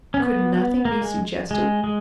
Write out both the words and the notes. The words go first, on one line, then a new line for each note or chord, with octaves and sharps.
Could nothing be suggested?
C#4
B3
A#3
G#3
G#3
G#3